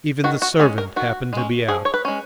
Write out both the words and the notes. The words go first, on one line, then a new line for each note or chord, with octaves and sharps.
Even the servant happened to be out.
D#3 F#4
F#4
G#3 C#4 G#4
A#4
D#3 F#4
G#3 C#4
F3 G#4
C#5
B4
G#3 C#4